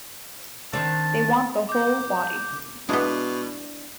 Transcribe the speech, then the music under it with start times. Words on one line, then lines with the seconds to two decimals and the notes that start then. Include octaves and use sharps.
They want the whole body.
0.73 D#3 C4 D4 A5
1.69 D6 G6
2.89 B2 G#3 B3 D4 E4